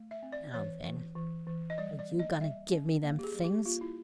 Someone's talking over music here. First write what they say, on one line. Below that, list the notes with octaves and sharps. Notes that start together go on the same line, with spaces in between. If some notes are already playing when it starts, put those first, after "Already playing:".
"Now then, are you going to give me them things?"
Already playing: A3
E5
C4
D5
E3 C#5
E3
E3
E3
D#5
G3 D5
D5
A#3
D#5
G3 E5
C#4
A#3
G4
G#4
G3
G4
A#3 F4
E4